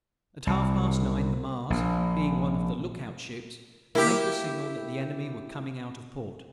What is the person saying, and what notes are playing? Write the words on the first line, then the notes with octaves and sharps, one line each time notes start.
At half past nine the Mars, being one of the look-out ships, made the signal that the Enemy were coming out of port.
C2
A#1
A#3 E4 G4